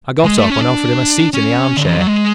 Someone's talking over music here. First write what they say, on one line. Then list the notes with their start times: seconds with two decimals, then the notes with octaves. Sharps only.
I got up and offered her my seat in the arm-chair.
0.25 G#3
0.38 A3
0.50 C#4
0.62 D4
1.34 C#4
1.77 D3
1.87 E3
1.97 F#3
2.07 G#3